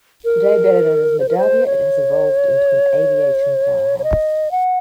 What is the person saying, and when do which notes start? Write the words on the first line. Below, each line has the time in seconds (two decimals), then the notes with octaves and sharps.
Today better known as Medavia, it has evolved into an aviation powerhouse.
0.25 A#4
1.19 C5
1.28 A#4
1.37 C5
1.66 C#5
3.99 C#5
4.04 D#5
4.51 F#5